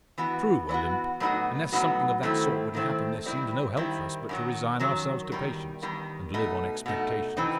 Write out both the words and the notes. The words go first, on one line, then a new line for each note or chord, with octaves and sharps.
"True, Olympe; unless something of that sort were to happen, there seems no help for us but to resign ourselves to patience, and live on expectations."
E3 B3 F#4
E3 B3 F#4
A2 F#3 B3 D#4 F#4
A2 F#3 B3 D#4 F#4
D#3 A3 C4 E4
D#3 A3 C4 E4
D#3 G3 C4 E4
D#3 G3 C4 E4
F#2 D#3 F#3
F#2 D#3 F#3
E2 D#3 G3
E2 D#3 G3
B2 A3 D#4
B2 A3 D#4
C3 E3 C4 D#4